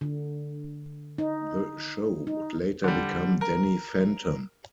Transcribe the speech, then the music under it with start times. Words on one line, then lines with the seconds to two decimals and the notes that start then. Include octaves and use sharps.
The show would later become "Danny Phantom".
0.01 D3
1.18 D#4
2.27 D#4
2.84 D3 G3
3.41 A#4